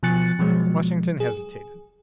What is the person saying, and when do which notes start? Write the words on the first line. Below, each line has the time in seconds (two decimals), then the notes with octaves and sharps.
Washington hesitated.
0.03 B2 F3 G#5 F#6 A6 C#7
0.39 B2 F3 F#3 G#3
1.20 G#4